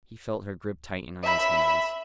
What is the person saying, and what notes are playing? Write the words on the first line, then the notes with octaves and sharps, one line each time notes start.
He felt her grip tighten on his hands.
E5 B5